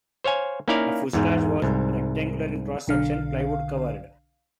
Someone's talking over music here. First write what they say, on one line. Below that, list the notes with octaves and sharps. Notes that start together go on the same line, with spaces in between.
A fuselage was rectangular in cross-section, plywood covered.
C5 C#5 F5 G#5
A#3 C#4 D#4 E4 D5 F5
E2 G#2
C2 G#2
B1 D3 F5